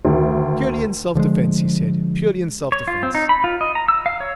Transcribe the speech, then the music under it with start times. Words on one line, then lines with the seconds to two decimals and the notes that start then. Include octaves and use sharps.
'Purely in self-defence,' he said, 'purely in self-defence.
0.05 D2 D#3
1.15 D3 F3 G3 G#3
2.72 C#5
2.88 F4
3.03 C4
3.15 D#4
3.29 B5
3.44 F4
3.61 D#5
3.75 A#5
3.88 E6
4.06 F5
4.20 C#5